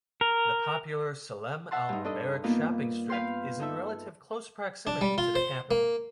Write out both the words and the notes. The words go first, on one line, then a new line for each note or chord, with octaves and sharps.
The popular Salem Al-Mubarak Shopping strip is in relative close proximity to the capital.
A#4
E5 F#5 A5 C6
G2 D#4
D4 A4 D#5
A#3 B3 D#4 F4
B4 F5 G5 C6
D#4 A4 E5
D4
G3
F4
C5
A#3